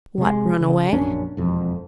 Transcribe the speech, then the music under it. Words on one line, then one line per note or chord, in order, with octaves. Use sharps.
"What, run away?"
C3 G#3
C#3
A#1 F#2 C#4 D4
E1 F2